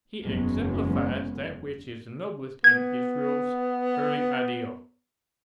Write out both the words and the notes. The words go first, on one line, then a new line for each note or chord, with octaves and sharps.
He exemplifies that which is noblest in Israel's early ideals.
F#1 E2 F#3 G#3 B3 C#4
B3 G#6